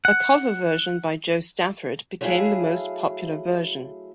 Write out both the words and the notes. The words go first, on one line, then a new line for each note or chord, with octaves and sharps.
A cover version by Jo Stafford became the most popular version.
F#5
F#3 A3 E4 F#4 G#4 F5